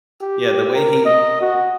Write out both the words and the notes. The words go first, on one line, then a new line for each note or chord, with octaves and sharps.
yeah, the way he
G4
A#4
D#5
F#4